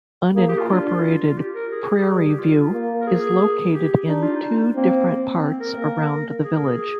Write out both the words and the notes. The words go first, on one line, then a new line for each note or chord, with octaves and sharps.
Unincorporated Prairie View is located in two different parts around the village.
A#3 G#4
G4
F4
D4 F4
F4
G4
A#4
G#4
G3
G4
F4
A#3
A#4
G#4
G4
D4 D#4
F4
D#4
A#3 C4
C4
A#4
A#3
G#4
A#4
G#4